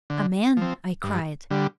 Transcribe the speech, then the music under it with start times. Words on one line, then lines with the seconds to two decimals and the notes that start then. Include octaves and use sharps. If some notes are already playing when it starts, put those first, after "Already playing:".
"A man?" I cried.
0.10 D3
0.57 F3 C4
1.03 G2
1.51 D3 G3